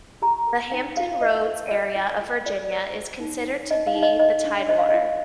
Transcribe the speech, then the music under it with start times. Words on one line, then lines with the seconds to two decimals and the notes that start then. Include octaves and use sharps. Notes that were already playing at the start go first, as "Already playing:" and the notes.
The Hampton Roads area of Virginia is considered to be in the Tidewater.
0.22 G4 A#5
0.47 A#4
0.72 D#4 G5
0.96 G4 F5
1.21 F4 D#5
1.47 F4
1.71 F4 D#5
1.96 F4
2.21 F4
2.46 F4 D5
2.70 C5
2.96 C5
3.20 D#4
3.45 C5
3.70 D#4 D#5
3.87 F5
3.95 D#4
4.03 D#5
4.20 C5 D#5
4.45 D4
4.69 C5 D#5
4.79 F5
4.89 D#5
4.94 F4